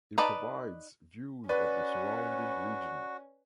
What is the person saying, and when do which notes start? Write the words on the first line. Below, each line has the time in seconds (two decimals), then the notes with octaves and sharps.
It provides views of the surrounding region.
0.18 D#4 B4 D5 A5
1.49 C#4 F#4 B4 D5